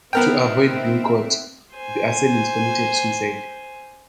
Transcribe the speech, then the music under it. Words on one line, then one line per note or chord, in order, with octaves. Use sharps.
To avoid being caught, the assailants committed suicide.
B3 C4 D#4 A#4 E5 G5
C5 G#5